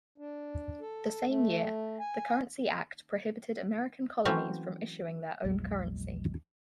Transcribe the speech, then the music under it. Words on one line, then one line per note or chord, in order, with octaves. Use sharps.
The same year, the Currency Act prohibited American colonies from issuing their own currency.
D4
A4
A3
G#5
E3 F#3 A3 C4 C#4
A#1 E2 F#3 G#3